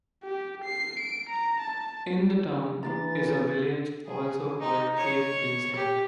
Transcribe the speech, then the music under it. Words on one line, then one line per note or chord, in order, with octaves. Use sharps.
In the town is a village also called Cape Vincent.
G4
C7
D7
A#5
A5
E3 D4 A#4 A#5 A6
G#4
D#4
C#5
G4